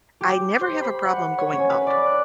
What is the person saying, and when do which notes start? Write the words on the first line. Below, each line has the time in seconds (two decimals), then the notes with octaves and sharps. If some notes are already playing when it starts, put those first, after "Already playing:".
I never have a problem going up.
0.21 G4
0.61 C5
0.82 B5
1.05 F#5
1.38 C#5
1.53 C#4
1.70 B4
1.87 D5
2.06 F#6